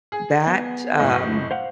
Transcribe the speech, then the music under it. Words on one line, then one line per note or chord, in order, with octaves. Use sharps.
that, um,
G#4
B3
F#1 A2 D#5
C5 F5 F#5